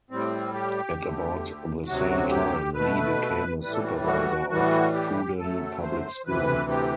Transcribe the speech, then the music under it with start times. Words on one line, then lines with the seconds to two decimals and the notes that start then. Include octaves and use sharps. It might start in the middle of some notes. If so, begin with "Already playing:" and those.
At about the same time, Li became a supervisor of Fudan Public School.
0.10 A2 G3 C4
0.54 G4
0.98 D2 D3 A3
1.86 D2 C3 F#3 F#4
2.30 G4
2.74 B2 A3 B4
3.62 A2 E3 G3 B4
3.73 A4
3.84 F#4
4.06 F#4
4.50 A2 E3 G3 F#4
4.94 G4
5.38 F#2 F#3 A3 A4
5.82 C5
6.26 D2 C3 E3 B4
6.70 G4